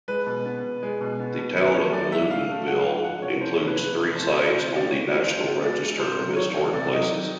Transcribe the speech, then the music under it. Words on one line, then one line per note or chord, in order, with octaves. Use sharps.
The town of Loudonville includes three sites on the National Register of Historic Places.
G#3 B4
B2
B3
B2
G#3
B2
B3
B2
D#3 B4
A3 C#5
F#3 D5
G#2 E5
D#3 F5
A3
F#3 F#5
F5
G#2
F3 F#5
C3 C#5
A3 C5
C#5
C3
B4
F3 B4
C3
A3 C5
C3
E3 C5
B3
D5
G#3 C#5
G2
E3 C5
B3
G#3 D5
G2
C3 C5
F#3
D#3 C#5
E2
C3 D5
F#3 D#5
D#3